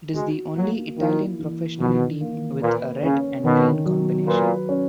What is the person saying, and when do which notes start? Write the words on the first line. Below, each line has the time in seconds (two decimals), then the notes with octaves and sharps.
It is the only Italian professional team with a red and green combination.
0.14 G#3 F#4
0.56 F#3 A#3
0.97 D#3 E4
1.39 E3
1.80 B2 D#3
2.21 A#3
2.62 A#2 B4
3.03 C#3 C#4
3.44 B2 D#3
3.86 F#3
4.27 A#2 B4
4.69 C#4